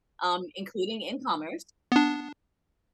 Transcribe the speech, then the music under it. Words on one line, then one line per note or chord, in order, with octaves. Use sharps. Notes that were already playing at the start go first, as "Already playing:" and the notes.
um, including in commerce
B3 D4